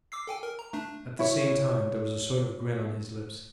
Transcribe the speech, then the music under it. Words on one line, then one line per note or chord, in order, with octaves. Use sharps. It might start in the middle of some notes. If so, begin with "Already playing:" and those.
At the same time there was a sort of grin on his lips.
D6 E6 C7
A4 G5 G#5
A#4
A#5
A3 D4
E4 C#5